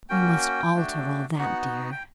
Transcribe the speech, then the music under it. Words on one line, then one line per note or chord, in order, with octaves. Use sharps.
We must alter all that, dear.
A#3 C#4 F#4 G5
A3 D4 F#4
B3 D#4 F#4 F#5
G5